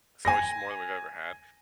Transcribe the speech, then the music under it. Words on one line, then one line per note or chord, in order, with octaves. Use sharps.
so it's more than we've ever had,
G#5 A#6